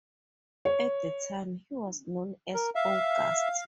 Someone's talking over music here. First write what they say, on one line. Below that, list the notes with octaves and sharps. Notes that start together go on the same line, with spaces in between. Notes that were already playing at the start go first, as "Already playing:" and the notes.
At the time, he was known as "Owgust".
C#5
A#4
E5 F5